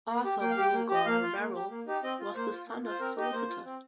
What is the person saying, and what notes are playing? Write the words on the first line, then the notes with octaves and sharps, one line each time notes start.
Arthur Woollgar Verrall was the son of a solicitor.
A#3
G4
A#3 G5
F5
G4 G5
A#3
G4
D#5
A#3 F5
F4
A#3
G4
A#3
D#4 G4
C4 D#5
F4
A#3 C5
F4
A#3
F4
C5
C4 A#4
D#4 G4 D#5
A#3 C5
F4
C4